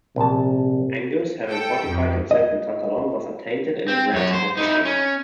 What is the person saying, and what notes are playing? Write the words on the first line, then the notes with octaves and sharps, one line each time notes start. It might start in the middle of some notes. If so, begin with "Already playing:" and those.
Angus, having fortified himself in Tantallon, was attainted and his lands confiscated.
A#1 C3 A5
A4 G5
F2
D#5
C4
F#2 C#5
C5
D#4 E4
C#4